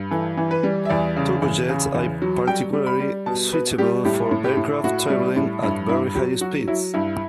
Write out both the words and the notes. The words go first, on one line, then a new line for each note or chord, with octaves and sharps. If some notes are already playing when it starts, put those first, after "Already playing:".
Turbojets are particularly suitable for aircraft travelling at very high speeds.
Already playing: G2
E3 A4
E3
B4
G3
E5
E2 D5
C#3
E2
C#3
E2
F#3
G3 G5
G3
B5
G3
B2 A5
B2 B4
G3 G4
A2 G4
A2
G4
A2
A2 F#4
G3
A2
G2 E4
G2 E4
F#3 G4
F#3 F#4
F#3 E4
G2 E4